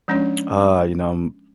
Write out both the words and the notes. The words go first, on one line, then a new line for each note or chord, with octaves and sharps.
Uh, you know, um
F3 G#3 C#4 D4 C#5